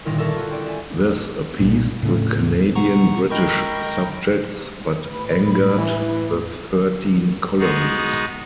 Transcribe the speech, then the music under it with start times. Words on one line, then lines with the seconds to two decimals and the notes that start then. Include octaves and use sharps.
This appeased the Canadien British subjects but angered the Thirteen Colonies.
0.05 G1 A#2 D#3 D#4 E4 A#4
0.18 A4 A#4 E5 A5 C#6 G#6
0.36 F4 F#4
0.50 C4 D5
0.66 E5 G#5
1.60 B1 A#2
2.03 A2 C#3
2.75 B2 F#5 A#5 C#6
3.31 G#3 A#4 D#5 G5 B5 C#6
5.05 A2 B4
5.78 E3
7.58 G#3 B3 D#4 F#4 G#4